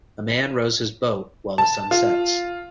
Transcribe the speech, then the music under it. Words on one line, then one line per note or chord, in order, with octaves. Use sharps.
A man rows his boat while the sun sets.
A5
F4